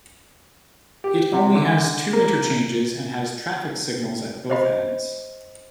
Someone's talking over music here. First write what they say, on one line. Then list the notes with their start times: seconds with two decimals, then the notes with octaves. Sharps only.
It only has two interchanges and has traffic signals at both ends.
1.04 G4
1.33 C3
1.56 D3
2.13 A#3
4.50 C5 D#5 B5